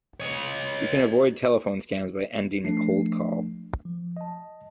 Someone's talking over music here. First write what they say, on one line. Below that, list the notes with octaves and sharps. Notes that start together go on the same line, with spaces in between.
You can avoid telephone scams by ending a cold call.
C#5 D#5
F3 A3 D4 C7
F3
D#5 A5